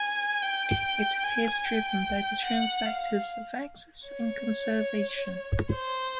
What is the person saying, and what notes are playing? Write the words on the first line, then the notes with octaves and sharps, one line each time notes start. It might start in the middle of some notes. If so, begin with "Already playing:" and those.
It appears driven by the twin factors of access and conservation.
Already playing: G#5
G5
G#5
G5
F#5
F5
C#5
C5